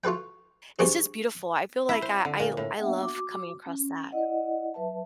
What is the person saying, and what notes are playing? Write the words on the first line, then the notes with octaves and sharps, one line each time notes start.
it's just beautiful. I feel like I I I love coming across that.
F4 F#4 A4 B4 G5
G2 C4 F#4 G#4
E4
C5
D3
A#2
A2
A#3 B3 D4 E5 F#5 G5
F#4 D6
C#4
E4 D5 D#5 F#5
F#3 B4 E5 A5